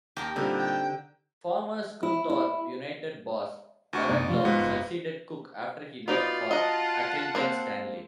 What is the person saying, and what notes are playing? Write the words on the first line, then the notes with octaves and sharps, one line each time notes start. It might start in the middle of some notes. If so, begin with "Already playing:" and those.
Former Scunthorpe United boss Baraclough succeeded Cook after he left for Accrington Stanley.
D#2 G4 A#4
A#2 D3 G3 C4 D#4
G5
E4
E4
D2 F#4 C#6
F#2 C3 B3 D#4 D5
C3 F3 A3 F4
G#2 G#3 B3 F#4
F#1
B3 D#4 F4 F#4 D5 F7
D#5 F#5 A5 A#5
A#3 C4 C7